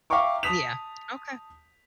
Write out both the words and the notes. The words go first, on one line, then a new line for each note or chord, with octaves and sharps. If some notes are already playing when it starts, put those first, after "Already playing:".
yeah. Okay.
E5 F5 G5 A#5 C#6 D6
A5 D#6 B6 F7